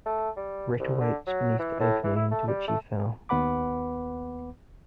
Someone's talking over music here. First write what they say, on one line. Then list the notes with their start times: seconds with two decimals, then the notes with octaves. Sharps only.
Rick awakes beneath the opening into which he fell.
0.06 A3
0.37 G3
0.80 C2
1.01 D3
1.27 F#3
1.59 E3
1.80 A2
2.03 E3
2.16 E4
2.32 A3
2.48 G3
2.68 A3
3.29 D#2 B3 B4 F#5 B5 D6